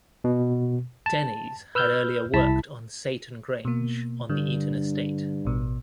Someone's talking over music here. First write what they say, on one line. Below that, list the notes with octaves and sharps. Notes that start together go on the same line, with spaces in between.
Dennys had earlier worked on Saighton Grange on the Eaton estate.
B2
A5
B4 E6 F6 G6
C2 E4 A5 B6
B2 A#3
G2 D3
A1 B2